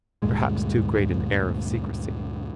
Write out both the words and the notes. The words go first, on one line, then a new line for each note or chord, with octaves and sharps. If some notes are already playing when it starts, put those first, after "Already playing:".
Perhaps too great an air of secrecy.
D2 G2 A#2 G#3